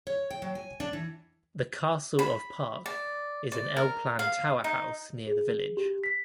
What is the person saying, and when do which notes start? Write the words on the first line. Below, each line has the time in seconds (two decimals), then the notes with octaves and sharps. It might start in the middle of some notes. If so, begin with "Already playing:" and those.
The Castle of Park is an L-plan tower house near the village.
0.07 C#5
0.30 G5
0.42 F#3
0.55 G#5
0.80 D4
0.93 E3
2.19 B5
2.86 D5
3.52 D5
3.77 A#4
4.19 F5
4.64 D#4
5.27 G#4
5.77 G4
6.04 B6